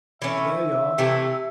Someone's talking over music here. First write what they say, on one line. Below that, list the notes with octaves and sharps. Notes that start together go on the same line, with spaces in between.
But there ye are!
E3 A3 C#4 E5
C3 E3 A3